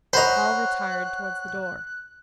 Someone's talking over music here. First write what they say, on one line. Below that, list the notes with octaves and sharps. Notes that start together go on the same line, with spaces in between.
All retired towards the door.
C5 C#5 D#5 F#5 A#5 B5 C#6 F#6